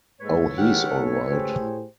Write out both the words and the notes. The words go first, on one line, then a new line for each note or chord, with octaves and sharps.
Oh, he's all right.
G#2 G#3 A#3 A4 B4 C#5
D#3 G#3 G4 A#4 F#5
F#2 A#3
C#2 A3 G4 G#4 C5
A2